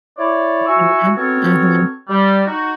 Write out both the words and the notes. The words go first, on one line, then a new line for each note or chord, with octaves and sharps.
Mhm. Mhm.
E4 C#5 D5
E4 F#4 G#5 C#6 E6
B3 C4 F#4 A4 A#4 C#5
G3
D#4 F#4